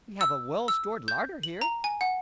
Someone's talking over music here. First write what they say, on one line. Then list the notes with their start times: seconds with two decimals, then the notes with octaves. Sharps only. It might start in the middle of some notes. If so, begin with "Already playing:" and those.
We have a well-stored larder here.
0.21 E6
0.68 E6
1.08 G6
1.43 F#7
1.61 A#5
1.84 G#5
2.01 F#5